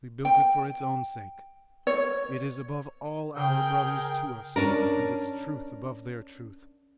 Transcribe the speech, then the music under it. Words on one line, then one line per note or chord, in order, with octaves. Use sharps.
We built it for its own sake. It is above all our brothers to us, and its truth above their truth.
G5
C#5
C#3 G#4 A#4 G5
C#4 D4 A#4